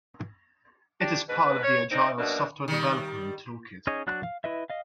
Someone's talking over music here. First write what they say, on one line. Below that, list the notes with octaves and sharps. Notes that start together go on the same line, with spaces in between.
It is part of the agile software development tool kit.
D4 G4
G#2 B2 B4
C#5
D3 C4 D#4
F#2 B2 A#3 D4
D#3 G3
C#4 D#4 G#4 C#5 D#5
F#3 D4 F#4 F#6
F5
E4 B4 D#5 E5
D#5 F5